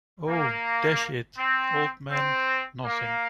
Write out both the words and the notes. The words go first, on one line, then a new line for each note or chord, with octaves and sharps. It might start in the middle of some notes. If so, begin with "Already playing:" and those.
Oh, dash it, old man, nothing?
A#3
C4
C4
A#3